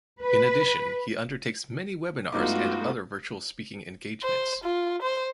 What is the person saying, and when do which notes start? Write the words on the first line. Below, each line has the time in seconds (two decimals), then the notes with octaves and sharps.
In addition he undertakes many webinars and other virtual speaking engagements.
0.23 B4
2.33 G2 G#3 A3 B3 D#4 F4 F#4 D6
4.24 C5
4.64 F4
5.02 C5